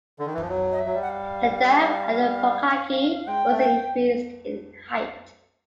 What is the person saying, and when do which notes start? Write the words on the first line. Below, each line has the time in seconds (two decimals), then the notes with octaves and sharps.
The dam at Pukaki was increased in height.
0.19 D3
0.26 D#3
0.34 E3
0.41 F3
0.49 F#3
0.72 D#5
0.79 E5
0.86 F#3
0.94 G3
1.02 F#5
1.10 F5
3.27 G#3 G5
3.50 A3
3.58 G5